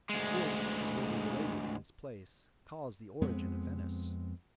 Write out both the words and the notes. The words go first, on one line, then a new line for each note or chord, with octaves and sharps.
This, as will be related in its place, caused the origin of Venice.
D2 G#3
F2 G#3 B3 C4